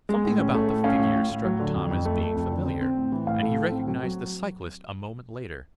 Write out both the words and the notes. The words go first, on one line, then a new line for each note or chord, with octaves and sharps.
Something about the figure struck Tom as being familiar, and he recognized the cyclist a moment later.
G#3
A2
C#4
A3
A2
C#4 F5
A2
A2
A2
F#3
D3
F2
F2
A3
A3
F2
D3
C4
C4
A2
E3
A2 F5
A3
A2
C4
F#3
F#3